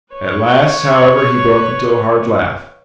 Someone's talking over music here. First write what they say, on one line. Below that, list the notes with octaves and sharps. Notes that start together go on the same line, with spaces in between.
At last, however, he broke into a hard laugh.
B4 C#5